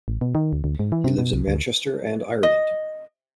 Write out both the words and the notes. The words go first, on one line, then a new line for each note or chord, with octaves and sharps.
He lives in Manchester and Ireland.
A1
B2
D#3
D2
D2
G#2
E3
C3
B2
C2
D2
D#5